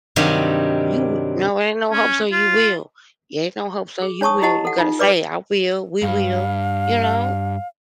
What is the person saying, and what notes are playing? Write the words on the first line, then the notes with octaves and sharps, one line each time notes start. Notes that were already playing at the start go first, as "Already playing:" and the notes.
you w no, ain't no "Hope so." You will. Yeah, ain't no "Hope so." You will, you gotta say, "I will. We will," you know?
G2 C3 D#3 F#3 G3 F#4
C#4
F4
G#4
D4 C#5 A5 C#6 D#6
E4 G4 D#5 F#5 A5
A4 F#5
D#4 F4
B4 D5 D6
G2 F5